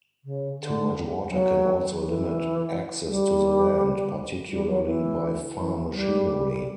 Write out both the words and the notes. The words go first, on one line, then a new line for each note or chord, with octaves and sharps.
Too much water can also limit access to the land, particularly by farm machinery.
C#3
D3
F#3
E3
G3
G3
F#3
E3
E3
G3